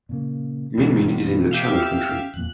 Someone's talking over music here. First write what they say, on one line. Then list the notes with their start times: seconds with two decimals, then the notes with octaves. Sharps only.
Min Min is in the Channel Country.
0.09 A#2 C#3 A#3
0.78 G#1 B2 E3 G#3
1.51 G4 E5 F5
2.09 C4 C#4
2.34 D#1 F2 A#2 F#6